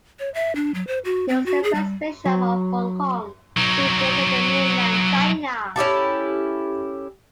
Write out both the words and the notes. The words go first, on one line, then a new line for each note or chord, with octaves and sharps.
He was the first bishop of Hong Kong to visit the mainland China.
C#5
E5
D4
F#3
C5
F#4
C4
F#4
G#4
G3
F#3
F#3 D#4
C#4 E4 G4 A4